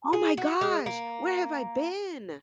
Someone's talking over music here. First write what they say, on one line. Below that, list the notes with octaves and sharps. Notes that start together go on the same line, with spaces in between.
Oh my gosh, where have I been?!
G#4
F#4
G#3
A#3